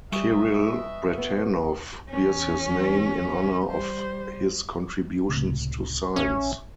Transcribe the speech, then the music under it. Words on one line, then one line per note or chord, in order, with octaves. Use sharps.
Kiril Bratanov bears his name in honor of his contributions to science.
G3 B4 D#5 E5 G#5 C#6 D#6
B3
E2 C#4
G3 C5
C#2 A2 C3
A1 C#4 E5 E6